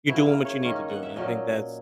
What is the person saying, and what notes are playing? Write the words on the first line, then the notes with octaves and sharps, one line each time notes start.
you're doing what you need to do," and I think that's
C#3 F#3 B3 E4
A#4
C#5
D#3 A#3 C#4 D#5
F#5
E5
A#2 F#3 C#4 D#5